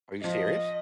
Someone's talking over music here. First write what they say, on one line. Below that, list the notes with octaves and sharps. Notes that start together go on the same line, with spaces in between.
Are you serious?
F3 D#5